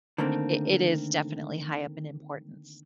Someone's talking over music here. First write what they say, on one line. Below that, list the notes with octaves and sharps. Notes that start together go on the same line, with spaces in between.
it it is definitely high up in importance.
D3 D#3 A3 A#3 C4